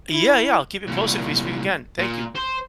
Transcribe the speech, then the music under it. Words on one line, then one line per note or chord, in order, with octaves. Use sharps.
Yeah, yeah, I'll keep you posted if we speak again. Thank you.
E4
C2 A#2
A#2
C5